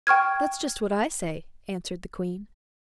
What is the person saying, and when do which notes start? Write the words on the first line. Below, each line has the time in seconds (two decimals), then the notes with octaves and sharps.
"That's just what I say," answered the queen.
0.07 G5 C#6 F6 G#6